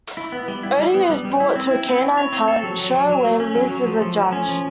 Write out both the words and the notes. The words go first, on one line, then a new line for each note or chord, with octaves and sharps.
Odie is brought to a canine talent show, where Liz is a judge.
E4
B3
G3
E4
G3
B3
G3
G3
E4
C4
E4
C4
E4
C#5
C4
A4
F#3
F#3
F#3
F#3
A3
C#4
F#3
F#3
F3
A3
F3
C#4
F3